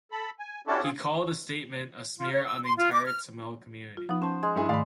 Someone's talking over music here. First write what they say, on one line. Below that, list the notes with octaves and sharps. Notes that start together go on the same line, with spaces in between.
He called the statement, a smear on the entire Tamil community.
A4 B5
G#5
C#4 D4 E4 F#4 G4 A4
C4 F4 G#4
F4
C#5
E6
C6
F4
D6
F6
F4
F3 B3 D#4
C#4 C5 A5
G#3 G#6
G2 E4 G#4
G#2 D#3 A3 D5 F5 B5